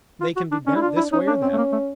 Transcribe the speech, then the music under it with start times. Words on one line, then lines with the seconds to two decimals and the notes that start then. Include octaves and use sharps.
They can be bent this way or that.
0.21 F4
0.36 F#4
0.51 D4
0.66 C#4 D4
0.76 E4
0.82 F4
0.97 E4
1.11 C#4 D#4
1.27 D4
1.42 C4
1.53 A3
1.58 A#3
1.72 A3